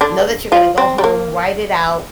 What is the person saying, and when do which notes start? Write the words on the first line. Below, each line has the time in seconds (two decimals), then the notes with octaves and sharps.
know that you're gonna go home, write it out,
0.01 D3 D4
0.52 F3 F4
0.78 C4
0.98 G3
1.04 A#3